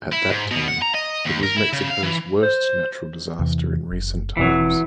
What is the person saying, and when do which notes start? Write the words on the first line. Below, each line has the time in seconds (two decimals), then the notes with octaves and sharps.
At that time, it was Mexico's worst natural disaster in recent times.
0.13 E4
0.30 G#2
0.51 B2
0.68 F#5
0.82 A#5
0.95 D#5
1.25 D#2
1.43 A#4
1.57 E4
1.73 C#3
1.90 F5
2.03 E3
2.42 C5
3.39 E2 C3 E3
3.91 F#1
4.37 E1 B2 E3 F#3 C4